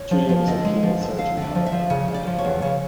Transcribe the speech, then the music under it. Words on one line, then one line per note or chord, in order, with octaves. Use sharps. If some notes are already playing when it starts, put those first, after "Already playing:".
Julia wasn't keen on surgery, however, and declined.
Already playing: C#5
F3
F3
D3 D#5
G#3
F3
D3
D3 F5
D3
E5
F3
E5
F3
C#3
C#3
D5
F3
C#5
E2
C#3 C#5